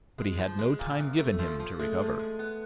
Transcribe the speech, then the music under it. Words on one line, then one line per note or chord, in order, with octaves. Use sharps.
But he had no time given him to recover.
G#3
F3
G#3
A#2
F#2
A3
F3
F3
G#3 A3
F3
G#3
B3